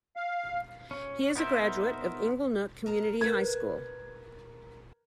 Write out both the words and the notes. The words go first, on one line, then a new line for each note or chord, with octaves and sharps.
He is a graduate of Inglenook Community High School.
F5
C#4
B3 D#4 A#4 C5 E5
A#4 A5 A#5
A#4 B4 G#6